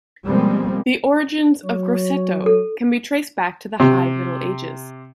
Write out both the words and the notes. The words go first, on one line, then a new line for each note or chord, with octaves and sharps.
The origins of Grosseto can be traced back to the High Middle Ages.
B2 F3 G3 G#3 A#3 C4
F#3 C#5
A4
C3